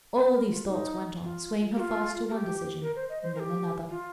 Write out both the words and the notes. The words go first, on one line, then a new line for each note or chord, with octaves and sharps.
All these thoughts went on, swaying her first to one decision and then another.
C5
A#4
F4
D#4
F4
G4
F4
A#4
G4
A#4
C5
D#5
C5
A#4
G4
F4